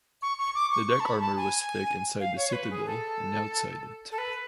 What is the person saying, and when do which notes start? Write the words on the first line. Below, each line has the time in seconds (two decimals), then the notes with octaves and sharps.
The deck armor was thick inside the citadel and outside it.
0.22 C#6
0.39 C#6
0.55 D6
0.71 C#6
0.88 C#6
1.00 A5
1.05 B5
1.20 A5
1.37 G#5
2.20 F5
2.36 C#5
2.49 C#5
2.53 B4
2.70 G#4
2.86 A4
4.11 A4
4.18 B4